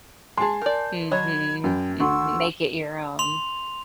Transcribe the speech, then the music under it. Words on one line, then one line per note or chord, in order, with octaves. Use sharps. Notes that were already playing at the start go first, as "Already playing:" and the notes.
Mhm, mhm make it your own.
G#3 G#4 G#5 A5 C6
A#4 D5 G6
F#3 C#5 D#5 B5 G#6
F#2 G5
D2 F#5 C6 C#6 E6
C6 F7